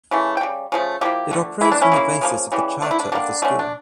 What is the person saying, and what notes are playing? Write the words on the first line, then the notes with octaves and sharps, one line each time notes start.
It operates on the basis of the charter of the school.
C#3 E3 A3
G5
C#3 G3
C#3 F3 A3
D3 F3 A#3 E4 G4
D3 A3
E3 A3 E4
D4
C#4 E4
C#3 G3 A#3
C#3 F3 A#3
C#3 E3 G3
D3 A3 D4 E4
D4
D3 G3 A#3 D4
D3 A3 C#4
D4